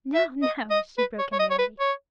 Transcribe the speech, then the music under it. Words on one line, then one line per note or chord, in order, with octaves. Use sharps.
"No, no!" she broke in merrily.
E5
D#5
D#5
B4
C#5
C#5
D#5
C#5
B4
C#5